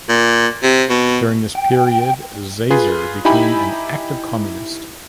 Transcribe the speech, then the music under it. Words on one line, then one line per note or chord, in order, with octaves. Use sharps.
During this period, Zaisser became an active communist.
A#2
C3
B2
G5
F4 G#4 B4
D#4 E4 G4 G#5 B5